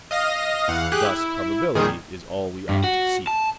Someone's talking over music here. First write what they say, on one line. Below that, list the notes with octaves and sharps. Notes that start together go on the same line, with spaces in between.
Thus probability is all we ought to seek.
D#5 F5 A#6
E2 F5 F#5
G4 G#4 F#6
E4
A#2 D#3 G3 G#4
G2
F#4
A5